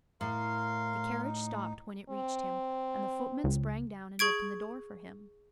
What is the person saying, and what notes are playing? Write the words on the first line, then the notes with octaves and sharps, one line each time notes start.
The carriage stopped when it reached him, and the footmen sprang down and opened the door for him.
A2 A#4 F5 C6
D#4
C4
C#2
G#4 C#6 G#6 D7